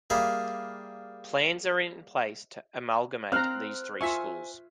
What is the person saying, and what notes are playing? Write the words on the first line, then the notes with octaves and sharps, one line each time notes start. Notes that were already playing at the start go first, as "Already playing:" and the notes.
Plans are in place to amalgamate these three schools.
G3 A#3 G#4 E5 F5
C4 F5 A#5 F6 F#6
F4 E5 G#5 C#6 B6